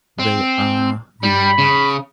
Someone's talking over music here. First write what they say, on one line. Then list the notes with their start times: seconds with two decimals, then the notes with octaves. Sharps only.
They are the alike.
0.19 C4
1.23 G3 B5
1.58 C#3